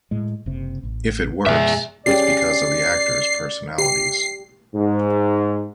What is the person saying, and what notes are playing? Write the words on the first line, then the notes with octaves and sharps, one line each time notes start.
If it works, it's because of the actors' personalities.
A2 G#3
F#1 C3
A1
F#2 B2 G#3 G#4 E5
C#4 G4 G#4 D5 C7
G4 C7
G#2